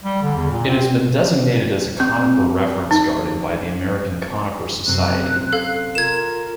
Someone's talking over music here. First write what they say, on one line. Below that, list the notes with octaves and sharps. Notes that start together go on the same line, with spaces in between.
It has been designated as a Conifer Reference Garden by the American Conifer Society.
G3
D3
E2
A#2
C4
C4
D#4
F#2 C3 C4 F#6
A4 F5
F4 A#4 G#6 E7